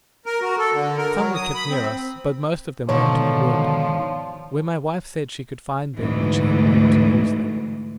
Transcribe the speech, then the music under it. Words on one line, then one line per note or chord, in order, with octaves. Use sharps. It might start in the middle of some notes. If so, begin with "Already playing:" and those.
Some we kept near us, but most of them went to the wood, where my wife said she could find them when she had need to use them.
A#4
F#4
A4
D3
A#4
F#3
D#6
B5
C4
G#2 B2 D3 D#3 F3 C#5
D2 G#2 E3